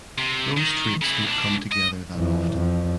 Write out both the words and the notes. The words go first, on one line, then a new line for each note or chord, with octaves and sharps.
Those traits don’t come together that often.
C3
D#3
C#3 E4
B1 D4
D#5
F2 E3
F2